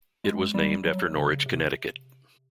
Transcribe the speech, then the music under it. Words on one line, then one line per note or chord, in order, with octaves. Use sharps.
It was named after Norwich, Connecticut.
G#3
G3
F#3
C#3
C3